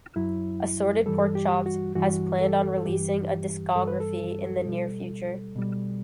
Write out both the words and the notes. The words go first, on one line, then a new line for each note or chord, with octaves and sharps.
Assorted Porkchops has planned on releasing a discography in the near future.
F#2 F#3 E4
G2 E3 G3 A4
G4
F#4
G2 E3 G3 F#4
A4
A4
G2 E3 G3 G4
G2 E3 G3 A4
B4
A4
B2 G3
B2 G3